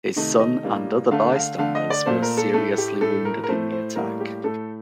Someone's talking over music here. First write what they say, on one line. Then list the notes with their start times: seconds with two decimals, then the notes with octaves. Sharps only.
His son and other bystanders were seriously wounded in the attack.
0.16 C3 D#3 A3 D#5
0.40 D#5
0.64 A2 G3 A#3
1.11 D3 A3 F5
1.36 F5
1.58 D3 A3 F5
1.75 D#5
1.90 D5
2.06 A#2 A3 C5
2.22 A#4
2.37 A4
2.53 A2 A3 A4
2.78 G4
3.01 A2 A3 A4
3.25 A#4
3.44 A#4
3.48 A2 A3 C5
3.72 C5
3.96 A2 G3 A#3 A#4
4.21 G4
4.44 A2 A3 A4